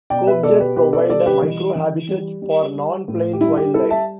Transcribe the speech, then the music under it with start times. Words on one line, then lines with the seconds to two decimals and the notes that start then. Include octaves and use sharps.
Kopjes provide a microhabitat for non-plains wildlife.
0.10 B2 D5 G5
0.27 B4 E5
0.43 B2 A4 D5
0.60 G4 B4
0.76 B2 G4 B4
0.93 A4 D5
1.09 G3 A4 D5
1.26 G4 B4
1.42 E3
1.76 E3
2.09 G3
2.42 G3
2.75 G3
3.08 A2
3.33 G4
3.41 G3 E4
3.57 G4
3.74 G3 E4 A4
3.91 E5 A5